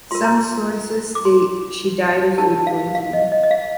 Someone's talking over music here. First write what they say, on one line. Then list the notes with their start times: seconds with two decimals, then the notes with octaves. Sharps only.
Some sources state she died of food poisoning.
0.11 F4 A#4 C6
0.24 A#5
0.36 C6
1.15 D6
1.25 C6
2.38 D#4 G4 A#4 A5
2.67 F5
2.95 F5
3.13 D#5
3.32 D#5
3.44 D#5
3.51 F5